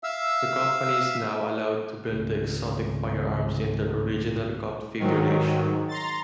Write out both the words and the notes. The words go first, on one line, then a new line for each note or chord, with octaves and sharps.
The company is now allowed to build the exotic firearms in their original configuration.
E5 F5 E6
G#1 C#2
G#2 D#3 F#3
A#5 C6 A6